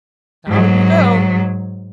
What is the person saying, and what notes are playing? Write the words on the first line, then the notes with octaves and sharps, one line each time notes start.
'Down you go!
G#2 F#3